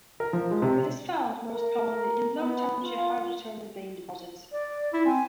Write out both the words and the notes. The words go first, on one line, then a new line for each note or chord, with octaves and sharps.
It is found most commonly in low temperature hydrothermal vein deposits.
A#4
F3
G#3
C3
A#4
B3
F4
D5
E4
C4 G#5